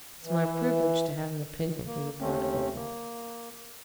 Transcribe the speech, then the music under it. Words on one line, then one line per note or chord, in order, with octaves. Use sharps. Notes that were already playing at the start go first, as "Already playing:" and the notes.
"It is my privilege to have an opinion," he replied coldly.
E3
A#3
D#2 A3 C4 C#4
A#3